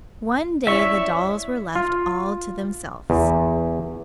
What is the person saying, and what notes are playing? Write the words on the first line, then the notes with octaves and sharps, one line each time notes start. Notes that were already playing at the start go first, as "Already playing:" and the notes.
One day the dolls were left all to themselves.
C#4 E4 D5 E5 C#6
F4
E2